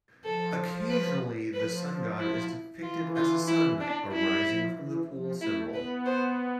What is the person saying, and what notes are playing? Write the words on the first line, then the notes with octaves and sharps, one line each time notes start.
Occasionally, the sun god is depicted as a sun arising from the pool symbol.
F3 A4
B4
F3 B4
E4
E3 F4
F4
E4
D4
G3 E4
F3
E3
F3
A3 E4
B3 B4
C5